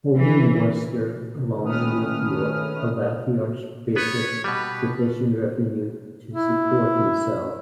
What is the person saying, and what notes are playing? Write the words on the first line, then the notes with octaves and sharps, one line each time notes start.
Holding Worcester along with York allowed the archbishop sufficient revenue to support himself.
E3
D#3 A3 C#4 B4 D#6 F6
B3 B4 C#5
B2 G3 B4
E4